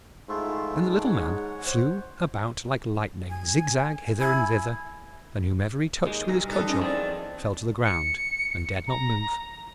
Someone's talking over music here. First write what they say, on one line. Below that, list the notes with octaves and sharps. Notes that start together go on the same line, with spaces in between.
Then the Little Man flew about like lightning, zig-zag, hither and thither, and whomever he touched with his cudgel fell to the ground, and dared not move.
G#2 A3 E4 F4
D4 D5
C#5 F#5
C5
G#5
E4 G#5
D#2 G#3
B1 G2 A#5
G3 B3 D#4 A4
F#2 G#3 C#4 D#4
E2 D#3 F3 C4 D5
C#7
A#5